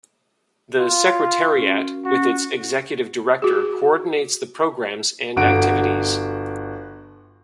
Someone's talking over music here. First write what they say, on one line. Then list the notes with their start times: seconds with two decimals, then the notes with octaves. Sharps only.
The Secretariat, with its Executive Director coordinates the programs and activities.
0.80 F4
1.57 C#4 F#4 A#4
2.05 C#4 F#4
3.42 F#4 G#4
5.36 G1 F#4 D7